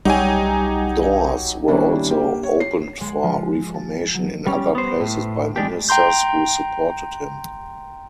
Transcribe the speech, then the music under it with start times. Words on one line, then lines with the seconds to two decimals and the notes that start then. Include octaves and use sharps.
Doors were also opened for reformation in other places by ministers who supported him.
0.05 B1 F#3 G3 D#4 G4 G5 G#5
1.68 D#3 G3 A#3 C#4 D4 E4
2.10 A#3 G4
2.43 C#5
2.60 C7
3.01 G#3
3.23 F3
3.74 A5
4.14 F#3
4.47 G3 C#4
4.75 B3 C5
5.00 A2
5.56 G#3 D4 G4
5.89 G5 A#5 C6 G6